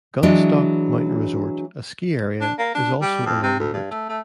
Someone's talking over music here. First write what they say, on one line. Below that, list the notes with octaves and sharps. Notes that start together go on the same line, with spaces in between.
Gunstock Mountain Resort, a ski area, is also along the route.
E3 F#3 G#3 D4
D4
A#3
D4
G3
F2
C3
D2
G2
A3
A3